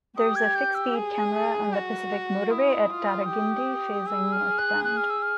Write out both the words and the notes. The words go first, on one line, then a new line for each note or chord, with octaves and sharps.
There is a fixed speed camera on the Pacific Motorway at Tarragindi, facing northbound.
G4 D#6
G#6
G6
E6
G#4
F#4
E4 D#6
F4
G4
G#4 E6
F6
F#6
F#6
F6
E6
F6